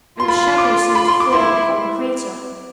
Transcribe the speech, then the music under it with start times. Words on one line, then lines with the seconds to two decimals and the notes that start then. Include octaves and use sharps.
And a shadow seemed to fall upon the crater.
0.20 F4 C6
0.28 B5
0.35 C6
0.58 D6
0.95 B5
1.08 C6
1.20 D6
1.32 E4 C6